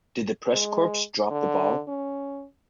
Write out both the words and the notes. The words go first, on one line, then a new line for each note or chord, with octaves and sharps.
Did the press corps drop the ball?
G#3
D3
C#4